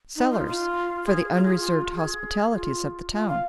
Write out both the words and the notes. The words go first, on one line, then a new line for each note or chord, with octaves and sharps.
Sellers for the unreserved hospitalities of the town.
D#4
F4
F4
G#4
F4
G#4
F4
G#4
F4
F4
F5